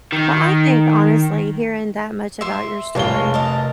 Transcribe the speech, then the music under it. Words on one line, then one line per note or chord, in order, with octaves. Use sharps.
Well, I think, honestly, hearing that much about your story,
D#3
E5 C6
F1 F4 A#4 C#5 G7
A#4 D#5 A5